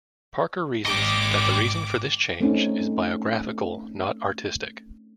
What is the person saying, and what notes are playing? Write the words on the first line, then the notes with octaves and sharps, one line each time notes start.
Parker reasons that the reason for this change is biographical, not artistic.
G#1 G4 D#5 D6
A3 C4 C#4 D#4